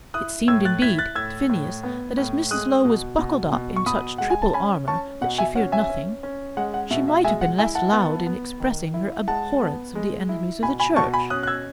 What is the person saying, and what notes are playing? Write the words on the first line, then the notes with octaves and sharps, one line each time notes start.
It seemed, indeed, to Phineas that as Mrs. Low was buckled up in such triple armour that she feared nothing, she might have been less loud in expressing her abhorrence of the enemies of the Church.
E4 D#6 F#6
A2 E6 G#6
F#6 A6
E4 G#6 B6
F#6 A6
A2 E6 G#6
A2
B3
A2
G#3 D#6 F#6
B2
B2
B2
C#6
B2 B5 D#6
G#3 F#5
G#5
A5
C#4 G#5 B5
C#4 A5 C#6
B2 F#5
E5 G#5
C#4 F#5
E5 G#5
C#4
C#4
G#3 F#5
F#5
B2 E5
E5
G#3 E5 G#5
F#5
E4 E5 G#5
F#5 A5
B3
B3
D#3
E4
G#3 F#5 A5
B3
G#3
E4
B2 G#5 B5
G#5 B5
B2 A5 C#6
G#5 B5
C#4 D#6 F#6
F#6
E6 G#6